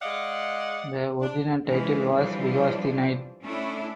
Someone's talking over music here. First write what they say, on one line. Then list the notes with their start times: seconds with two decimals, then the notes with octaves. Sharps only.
The original title was "Because the Night".
0.02 G#3 D5 D#5 F5 F#5
1.21 D4
1.65 E3 F3 G#3 C#4 G#4
2.13 E3 F3 G3 D4
3.42 A3 C#4 D4 E4 A4